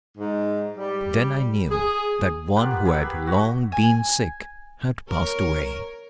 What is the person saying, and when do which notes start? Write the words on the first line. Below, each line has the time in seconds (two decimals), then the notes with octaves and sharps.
Then I knew that one who had long been sick had passed away.
0.17 G#2
0.77 G3
1.71 G#4
2.56 A#3 F4 G4 F#5
2.71 B3
2.86 G#4 A#4 E5 B5
3.02 G4 B4
3.27 F#4 C#5
3.72 G#5
5.09 A#4 C#5